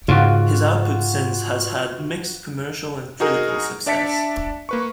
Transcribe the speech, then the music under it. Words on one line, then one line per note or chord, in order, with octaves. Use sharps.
His output since has had mixed commercial and critical success.
G#2 C#3 F4 F#4
D#4 F#4 G#4 A#4
D4 D5 E5 A5 B6 C#7
A#3 B4 C#6